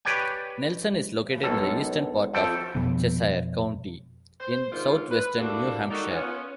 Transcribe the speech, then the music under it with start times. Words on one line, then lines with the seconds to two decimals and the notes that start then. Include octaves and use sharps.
Nelson is located in the eastern part of Cheshire County, in southwestern New Hampshire.
0.05 G4 B4 C#5 D5 G5 G#5
1.43 B1 F#2 A4
2.34 F2 A4 G5
2.75 F2 B2 F3 B3
4.41 C5
4.72 G#2 D3 D#3 F4
5.11 B4
5.39 G3 A3 A#3 D4 E4 F#4
5.91 D#3 G3 D#4 F#4 A4 D5
6.10 B3 C#4 F4